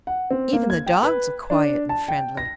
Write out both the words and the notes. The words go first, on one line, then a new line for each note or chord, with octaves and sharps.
Even the dogs are quiet and friendly.
F#5
C4
A#3
G#6
G5
B4
D4
A5
G5
A#6